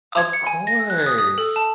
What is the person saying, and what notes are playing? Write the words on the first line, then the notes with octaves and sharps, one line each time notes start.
Of course.
G#6
C#7
G#5
A#6
F#6
D#6
D#6
A4
A5